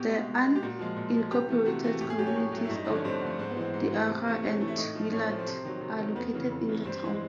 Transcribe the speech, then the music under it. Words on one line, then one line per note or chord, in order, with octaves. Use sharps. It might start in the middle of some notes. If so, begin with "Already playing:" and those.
The unincorporated communities of Tioga and Willard are located in the town.
Already playing: B2 G4
G#3
B2
G#3
G4
A#2 F#4
F3 G#3
A#2
F3 G#3
C3 G4
E3 A3
C3 F#4
E3 A3
A2 G4
G#4
F#3 A3 G4
C#4
A2
F#3 A3
G2 E4
D#4
D3 F3 A3 D4
C#4
G2 C4
D3 F3 A3
G#2 C4
B3
E3 G#3 C4
G#2
E3 G#3
C3
E3 A3
C3 C#4
E3 A3
E4
A2 D#4
F3 A3
A2 C#4
C4
F3 A3
C4
C3
D#3 F#3
C3
D#3 F#3
F2 B3
C#3 E3
F2
C#3 E3
G2 C4
E3 G#3